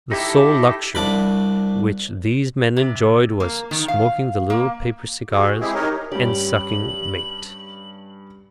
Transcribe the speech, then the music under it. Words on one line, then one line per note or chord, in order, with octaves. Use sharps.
The sole luxury which these men enjoyed was smoking the little paper cigars, and sucking mate.
D#4 E4 G4 A4
C2 D4 D5 B5
C3
A#3
D#3
F5
A#3
F#4 G#4
G#3 C4 E4 G4 G#4
D#4 G4 A#4 C#5 D#5
G2 C#4 G4 F#7